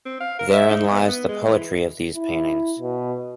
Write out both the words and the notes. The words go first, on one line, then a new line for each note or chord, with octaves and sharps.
Therein lies the poetry of these paintings.
C4
F5
A#4
E5
D#4
B3
B3
G#3
E3
E4
B2